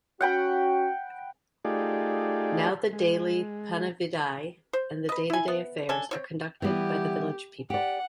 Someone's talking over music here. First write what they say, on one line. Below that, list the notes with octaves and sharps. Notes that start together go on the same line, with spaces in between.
Now the daily Panividai and the day-to-day affairs are conducted by the village people.
C#4 F#4 F#5 G5 B5
A3 D#4 F4 G4 G#4 D5
G#3
C5
B4 D#5
E4 G#5
B3
C#4 D4 A4 G#5
C4 F4 C#5
E3 G3 B3 G4
G4 D5 F#5